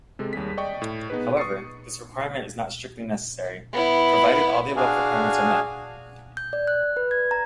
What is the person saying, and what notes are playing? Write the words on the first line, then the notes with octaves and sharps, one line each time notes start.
However, this requirement is not strictly necessary, provided that the above requirements are met.
C3 G#3 A4
D#2 G3 G#4 B6
D5 D#5 G5 C#6
A2
B3 D#4 G#4 B4
C#6 D#6 A6 C7 C#7
B3 E4
D4 F#4 G#4 F5 G#5
G6
D5
F#6
B4
G#6
A#5